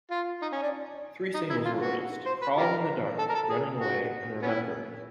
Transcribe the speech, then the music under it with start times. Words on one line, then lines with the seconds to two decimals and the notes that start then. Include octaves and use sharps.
Three singles were released, "Crawling in the Dark", "Running Away", and "Remember Me".
0.11 F4
0.42 D#4
0.52 C#4
0.63 D4
1.34 D#4
1.50 E4
1.65 F4
1.81 F#4
2.26 C5
2.42 B4
2.57 F4 G4 A#4
3.19 A4
3.29 A#4
3.35 A4
3.50 G#4
3.80 F#4
4.42 B3 C#4 E4